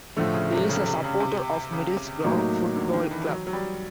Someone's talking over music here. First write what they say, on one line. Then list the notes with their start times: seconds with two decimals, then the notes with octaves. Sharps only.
He is a supporter of Middlesbrough Football Club.
0.17 A2 D3 F3 A3
0.34 C#3
0.52 C3
0.69 C#3
0.86 C3
1.04 C#3
1.20 C3
1.72 C#3
2.24 A2 C3 F#3 A#3 D#4
2.76 D3
2.93 D#3
3.11 E3
3.28 F#3
3.47 F#3
3.53 G3